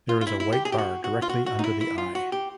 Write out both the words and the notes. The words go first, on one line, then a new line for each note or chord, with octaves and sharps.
There is a white bar directly under the eye.
F4
F4
E4
E4
G4
G#4
G4
F#4
F#4
F4
F#4
F#4
D#4
E4
E4
F4
F#4
G4